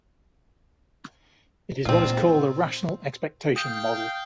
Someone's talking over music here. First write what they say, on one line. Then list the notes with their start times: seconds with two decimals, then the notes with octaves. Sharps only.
It is what is called a rational expectation model.
1.85 A#2 C4 F4
3.56 F5 G5 D#6 G6